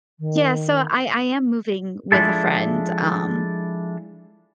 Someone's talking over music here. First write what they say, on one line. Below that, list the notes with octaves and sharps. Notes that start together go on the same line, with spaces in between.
Yeah, so I I am moving with a friend, um,
D#3
F3 G#3 D4 E4 A4